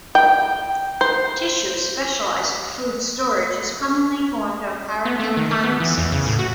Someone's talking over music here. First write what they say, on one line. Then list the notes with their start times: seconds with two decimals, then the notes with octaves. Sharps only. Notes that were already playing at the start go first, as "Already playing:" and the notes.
Tissue specialised for food storage is commonly formed of parenchyma cells.
0.15 G5
1.01 C5
5.05 B3
5.20 A3
5.37 D#3
5.51 A3
5.63 B3
5.80 E3
5.98 E2
6.12 C#3
6.26 A2
6.39 F#4